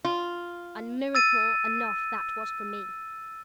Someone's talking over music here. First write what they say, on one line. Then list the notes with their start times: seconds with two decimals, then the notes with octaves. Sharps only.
And miracle enough that was for me.
0.05 F4
1.15 E6 A6 D#7